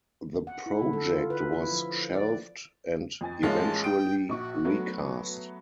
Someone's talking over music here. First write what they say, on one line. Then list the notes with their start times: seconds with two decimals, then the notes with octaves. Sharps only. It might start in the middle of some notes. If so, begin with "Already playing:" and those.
The project was shelved and eventually recast.
0.47 F#5
0.66 E4
0.82 D3
0.93 A4
1.10 F4
1.30 B4
1.52 E4
1.72 F3
2.14 D5
3.21 F2 G#5 A6
3.43 A1 F3 G#3 A#3 C#4 F5 A5
3.84 G5 D#6 D7
4.29 A#1 F#4 C#6
4.65 F#3 A3 B3